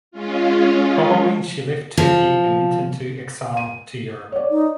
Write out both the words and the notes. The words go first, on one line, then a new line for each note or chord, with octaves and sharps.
Following she left Turkey and went into exile to Europe.
G#3 C#4 F4
F3
D#7
C#5 D5
D#4